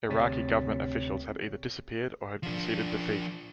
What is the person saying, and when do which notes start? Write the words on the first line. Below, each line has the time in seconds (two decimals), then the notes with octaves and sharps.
Iraqi government officials had either disappeared or had conceded defeat.
0.09 D2 C3 C4 C#5 A6 B6
2.43 F3 D4